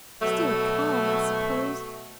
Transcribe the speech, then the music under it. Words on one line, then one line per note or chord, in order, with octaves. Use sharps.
Still a calm, I suppose?
B2 F#3 A3